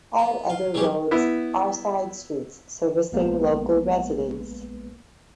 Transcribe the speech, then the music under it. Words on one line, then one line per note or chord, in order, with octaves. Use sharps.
All other roads are side streets servicing local residents.
B3
F4
F#3 G#3 C4 C#4 G4
B3 E4
A#1 G#3 A#3 B3 B4